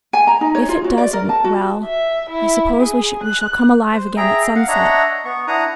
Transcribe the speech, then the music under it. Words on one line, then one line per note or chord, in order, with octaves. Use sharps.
If it doesn't - well, I suppose we shall come alive again at sunset.
G#5
A#5
D#4
C#5
F4
F#4
D5
A#4
A5
F#4
E5
E4
G#4
F#6
C5
G#4 E5 G5 A#5
F5 F#5
D4 C#5 D#5 E5 F#5 A#5
B3 C#6
D4 E4 F#5 A#5 D#6